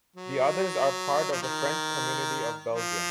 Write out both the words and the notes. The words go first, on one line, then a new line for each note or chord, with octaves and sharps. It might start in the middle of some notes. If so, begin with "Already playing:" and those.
The others are part of the French community of Belgium.
F#3
F3
D#3
F3